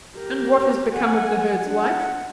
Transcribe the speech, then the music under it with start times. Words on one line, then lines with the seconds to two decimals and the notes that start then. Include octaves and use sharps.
"And what has become of the herd's wife?"
0.17 G4 A#4
0.93 F#5 G#5
1.64 D4 F#5